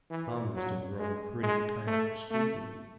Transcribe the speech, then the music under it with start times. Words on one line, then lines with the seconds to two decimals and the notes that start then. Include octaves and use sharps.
Tom must have grown pretty tired of squeaking.
0.10 E3
0.55 F#3
0.99 G#3
1.43 G#3
1.87 A3
2.31 A3